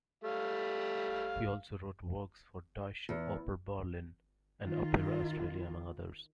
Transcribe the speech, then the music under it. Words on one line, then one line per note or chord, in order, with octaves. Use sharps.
He also wrote works for Deutsche Oper Berlin and Opera Australia among others.
G3 A3 F5
E2
D#3 F4